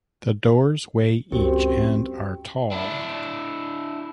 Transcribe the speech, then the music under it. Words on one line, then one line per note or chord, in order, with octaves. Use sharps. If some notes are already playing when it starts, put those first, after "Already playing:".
The doors weigh each and are tall.
C#2 F#2 C4 G4
D4 E4